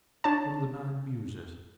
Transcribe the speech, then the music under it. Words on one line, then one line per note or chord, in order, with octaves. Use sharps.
One of the nine Muses.
D4 C#5 A5